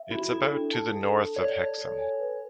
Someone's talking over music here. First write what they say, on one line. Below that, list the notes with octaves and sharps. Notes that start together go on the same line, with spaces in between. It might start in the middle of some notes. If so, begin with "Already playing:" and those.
It is about to the north of Hexham.
Already playing: E5
E4 F#4
E4 A4
D4
A5
A4
A4
C#5 D5
A5
A4
G#5
B4